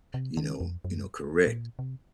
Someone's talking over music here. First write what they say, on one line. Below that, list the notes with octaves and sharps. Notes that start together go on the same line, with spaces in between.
you know you know, correct.
C3
D#3
F2
F#2
A#2
C3